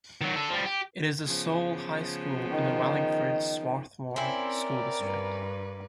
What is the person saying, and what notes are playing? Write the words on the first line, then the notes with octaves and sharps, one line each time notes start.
It is the sole high school in the Wallingford-Swarthmore School District.
D#3 F#3
D3 A4
F3 G3
G4
C#3 F3 B3
D#3
C4 C#4 E4 A#4 D5
G2 B4